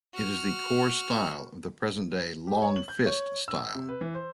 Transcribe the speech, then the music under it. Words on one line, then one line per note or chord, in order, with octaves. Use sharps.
It is the core style of the present-day Long Fist style.
F#4 F6
G4
C#5
F#7
G6
C#5
E6
C3
B4
E3
C5